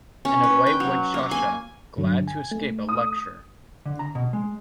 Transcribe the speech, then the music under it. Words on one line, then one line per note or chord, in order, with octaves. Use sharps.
And away went Sasha, glad to escape a lecture.
C#4
B4
G5
F#3
A#3
G#5
G2 D3 F#3
G#5
A3
D#6
D3
A#5
B2
G#3